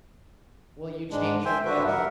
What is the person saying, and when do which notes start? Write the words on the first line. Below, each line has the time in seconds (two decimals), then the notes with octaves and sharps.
"Will you change your will?"
1.11 G#2 G#3 D4
1.45 C5 E5 G5 G#5 C6
1.65 G2 D4 F#4 B4 E5
1.87 G3 A#4 E5 F#5